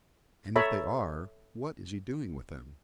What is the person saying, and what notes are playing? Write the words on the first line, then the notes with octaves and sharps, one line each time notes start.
"And if they are, what is he doing with them?"
A4 C#5 E5 A#5 B5